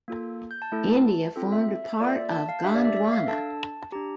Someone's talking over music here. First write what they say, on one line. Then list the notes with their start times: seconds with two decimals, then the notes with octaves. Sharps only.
India formed a part of Gondwana.
0.08 A#3 F4 A4
0.51 G6
0.62 A5
0.72 A3 E4 A4
1.36 C4 F4 A4
1.52 E5
1.69 E5
1.84 E5
2.00 A#3 F4 A4 D5
2.08 E5
2.32 A5
2.49 F5
2.64 D4 G4 E5
2.75 D5
2.85 E5
2.96 E5
3.13 F5
3.28 D4 A4 A5
3.92 D4 G4 A#5